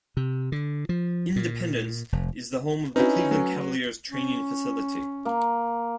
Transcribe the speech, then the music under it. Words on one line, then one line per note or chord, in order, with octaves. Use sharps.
Independence is the home of the Cleveland Cavaliers training facility.
C3
D3
F3
A#2
F1
C4 C#4 D#4 E4 F#4 B4
F#3 A3
C#4
A#3